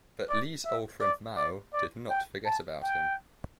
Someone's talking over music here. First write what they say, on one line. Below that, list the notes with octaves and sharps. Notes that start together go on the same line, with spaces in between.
But Li's old friend Mao did not forget about him.
D5
E5
D5
D5
D5
G5
A5
G5